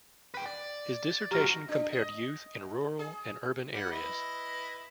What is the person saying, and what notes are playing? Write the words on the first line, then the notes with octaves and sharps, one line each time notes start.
His dissertation compared youth in rural and urban areas.
B4 G5
D5
G#2 F#3 G4 F6 A#6
D4
D#5
G#4
G3 F#5
E4 B4 D#5